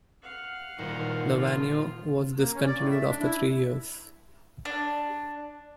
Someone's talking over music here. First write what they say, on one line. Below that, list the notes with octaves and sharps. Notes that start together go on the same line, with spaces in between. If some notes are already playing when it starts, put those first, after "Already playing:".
The Vaneo was discontinued after three years.
F5 F#5
D#1 D#3 F3
F4
A#3
C#4
D5
A2
E5
D4
E4
D4